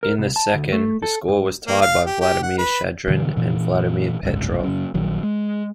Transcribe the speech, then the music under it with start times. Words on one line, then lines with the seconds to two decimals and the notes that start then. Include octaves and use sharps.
In the second the score was tied by Vladimir Shadrin and Vladimir Petrov.
0.03 A#4
0.18 C2
0.36 A5
0.54 D2
0.73 A3
1.02 A4
1.28 G2
1.67 A#3
1.82 F5
2.06 G4
2.21 G4
2.43 F#5
2.58 B4
3.07 G2 B2 D3 E3
3.37 A#2 E3
4.23 F#1 C2 G#2
4.63 F#2 C#3
4.94 A#1 D#3 F#3
5.23 G#3